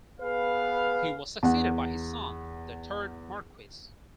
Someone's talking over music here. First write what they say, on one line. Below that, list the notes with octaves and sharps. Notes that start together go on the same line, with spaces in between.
He was succeeded by his son, the third Marquess.
B3 G#4 B4 F5
E2 F#5